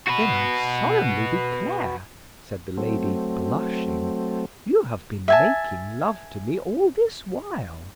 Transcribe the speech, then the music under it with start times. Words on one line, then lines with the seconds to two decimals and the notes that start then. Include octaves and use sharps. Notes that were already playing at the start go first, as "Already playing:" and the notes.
Then I solemnly declare, said the lady, blushing, you have been making love to me all this while.
0.07 F#4 B4
2.77 F#3 A3 C4
5.28 E5 G#5 A5